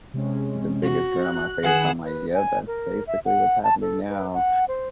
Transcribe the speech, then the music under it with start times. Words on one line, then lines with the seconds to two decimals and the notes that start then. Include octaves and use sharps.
with the biggest grin on my face. I'm like, "Yeah, that's basically what's happening now."
0.14 C3 G#3 C#4
0.83 F#4
1.24 F#6
1.63 D#3 G#4 B4 F#5 E7
2.04 B4
2.34 G#5
2.67 A#4
3.07 E5
3.25 F#5
3.63 A5
3.81 A4
4.09 B4
4.33 F#5
4.68 C5